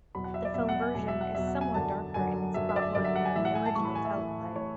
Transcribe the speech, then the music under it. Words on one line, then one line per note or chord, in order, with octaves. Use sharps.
The film version is somewhat darker in its plotline than the original teleplay.
E2 B2 F#3 B5
F#5
E5
D5
E2 B2 F#3 E5
F#5
G#5
E2 B2 F#3 G#5
E5
F#5
E2 B2 F#3 E5
F#5
G#5
F#2 D3 F#3 A5
F#2 D3 F#3 G#5
F#2 D3 F#3 E5
E5
D5
E5
F#2 D3 F#3 D5
E5
F#5
G#5
A2 E3 E5
F#5
G#5
A5
A2 E3 C#6
B5
G#5
E5
A2 E3
A2 E3 C#5